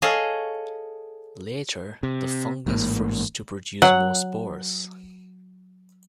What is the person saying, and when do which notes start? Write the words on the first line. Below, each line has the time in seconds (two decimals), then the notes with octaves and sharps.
Later, the fungus fruits to produce more spores.
0.02 G#4 A4 C#5 D#5 F5
2.03 C3
2.66 A1 G#2 C3 A#3
3.82 F#3 F#5